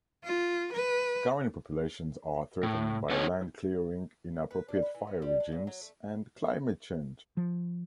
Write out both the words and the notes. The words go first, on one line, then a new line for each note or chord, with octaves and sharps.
Current populations are threatened by land clearing, inappropriate fire regimes and climate change.
F4
B4
A2
A3 B3 C#4 D#4 C#5
B4
D4
B4
E3
B3
G3
D4
A#2
F#3
A3
F3